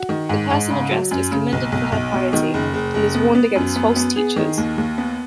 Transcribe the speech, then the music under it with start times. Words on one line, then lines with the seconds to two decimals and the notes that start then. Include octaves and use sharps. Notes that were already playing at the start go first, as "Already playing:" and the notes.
The person addressed is commended for her piety, and is warned against false teachers.
Already playing: F#4
0.09 D#3
0.29 G#2
0.50 G#2
0.70 C#3
0.91 F#3
1.11 F#2
1.31 C#3
1.52 B1
1.72 B1
1.92 B1
2.13 B2
2.33 D#3
2.54 F#1
2.74 F#1
2.94 F#1
3.15 B3
3.35 B3
3.55 F#2
3.76 B3
3.96 B3
4.16 G#4
4.36 D#3
4.58 D#2
4.78 D#2
4.98 B3